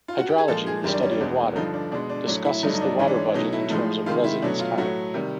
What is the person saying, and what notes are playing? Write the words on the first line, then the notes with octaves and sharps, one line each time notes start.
Hydrology, the study of water, discusses the water budget in terms of residence time.
F4
F#4
G4
G#4
A#2 F3 G#3 A4
G#4
F#2 D#3 G3 G4
D4
C#4
D4
E2 B2 G#3
G2 D3 F3 D#4
D4
B2 G#3 D4
D4
A2 F#3 A3 D4
E4
G2 D3 F#3 A3 D#4
D#4
D4
G#2 E3 G#3 C#4
D4
C#4
B2 F#3 A3 D#4
E4
A2 F3 G#3 D#4
C3 D#3 G#3 F4
E4
B2 F#3 A3 D4
F4
A2 F#3 A3 F#4
C3 D#3 G3